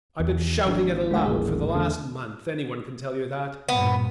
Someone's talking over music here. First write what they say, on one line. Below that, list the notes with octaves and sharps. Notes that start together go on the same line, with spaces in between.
I've been shouting it aloud for the last month, any one can tell you that!...
E2
G#1 F3 D4
D2 G#3 A#3 F#5
D#1 A1 A#2 G#4
E2 D3 A3
G2 A#2 B3